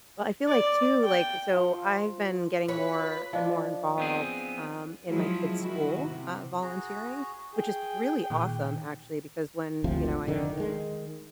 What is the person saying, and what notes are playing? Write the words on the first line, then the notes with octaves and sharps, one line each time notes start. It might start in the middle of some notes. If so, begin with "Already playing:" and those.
Well, I feel like too, like so I've been getting more and more involved, um, in my kids' school, uh, volunteering, which is really awesome, actually, because when, you know, I i
D5
G5
F3 F4
B4 C#5
F3 D4 D#5 F5
B3 C4 G#4
F3 F#3 G#3 E4
D#3 E4 F#4
C3
F#4 G#4 A#5
G#4 G5
A#2 D#3
G#1 D2 C3 F3
F1 D3 D#3
D#3 G#3